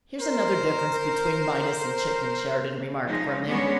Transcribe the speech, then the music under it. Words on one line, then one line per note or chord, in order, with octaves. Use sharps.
"Here's another difference between Midas and chicken," Sheridan remarked, grimly.
A#4 C5
F3 G#3 D#4
G3 G#3 B3 C#4 D4 C#5